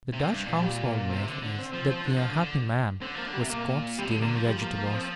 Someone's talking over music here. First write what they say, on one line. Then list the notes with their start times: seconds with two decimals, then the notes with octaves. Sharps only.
The Dutch household myth is, that the unhappy man was caught stealing vegetables.
0.13 C3
0.30 G2
0.46 A#2
0.62 G3
0.86 A#3
1.09 C3 C4
1.25 D3
1.42 D3
1.58 C4
1.74 F3
1.90 F3
2.06 D3
2.17 F3
2.30 D3
2.42 D3
3.01 D3 C4
3.15 F3 A#3
3.26 D3
3.34 G3
3.38 C3
3.50 A#2 A#3
3.98 C3 G3
4.11 D3
4.22 D3 A#3
4.35 F3
4.47 G3
4.62 A#3
4.78 A#3
4.94 C4